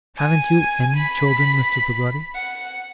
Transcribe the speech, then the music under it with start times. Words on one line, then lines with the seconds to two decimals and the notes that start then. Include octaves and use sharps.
'Haven't you ANY children, Mr. Peggotty?'
0.17 G#5
0.96 B5
2.35 F#5